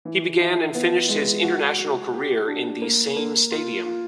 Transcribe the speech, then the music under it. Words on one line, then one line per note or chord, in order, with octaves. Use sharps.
He began and finished his international career in the same stadium.
E3
E4
B3
G#3
F#4
F#4
G4
D4
A#3
A#3
F4
F4